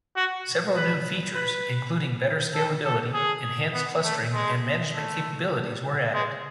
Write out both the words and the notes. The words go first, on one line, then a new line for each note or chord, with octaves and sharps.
Several new features, including better scalability, enhanced clustering and management capabilities were added.
F#4
B4
B4
A4
A4
G#4
B3
A3
G#3
A3
G#3